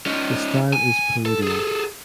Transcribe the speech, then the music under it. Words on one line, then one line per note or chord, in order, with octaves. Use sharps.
The style is Palladian.
C#4 D#4
G#5
A4
G#4 A4